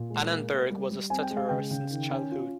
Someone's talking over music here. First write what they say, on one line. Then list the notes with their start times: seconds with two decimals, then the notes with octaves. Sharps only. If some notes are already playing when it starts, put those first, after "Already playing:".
Annenberg was a stutterer since childhood.
Already playing: A#2
0.10 G#3
0.30 A#3
0.51 A#3
0.70 G3
0.90 G3
1.10 C4 G#5
1.23 G5
1.30 G#3
1.37 F5
1.49 C#3 G5
1.71 C#3
1.91 D#3
2.10 C#4
2.31 F4